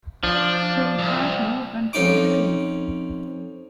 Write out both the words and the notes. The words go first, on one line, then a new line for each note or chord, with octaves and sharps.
They have no ventral fins.
F3 D4
C2
F2 C#4 D#4 D6